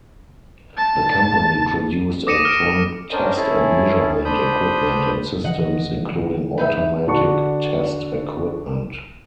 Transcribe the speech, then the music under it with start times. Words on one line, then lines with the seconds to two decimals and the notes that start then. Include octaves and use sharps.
The company produced electronic test and measurement equipment and systems, including automatic test equipment.
0.77 A5
2.27 D6 D#6 A#6 C#7 D#7 E7
2.45 F6 A#6 D7
3.12 C#4 D4 A#4 C5 D#5
3.37 C#4 E4 G#4 A4
4.25 D4 C5 B5 D#6 G6
5.44 D3 E3 F3 D#5 F#5
6.58 B3 D#4 E5
7.08 D3 D4 F#4 C#6